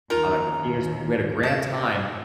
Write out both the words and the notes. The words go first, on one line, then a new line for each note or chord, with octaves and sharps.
I'm at the theaters, we had a grand time.
D#2 D#4 F4 A#4 A#5
G#3 A5 G6 A6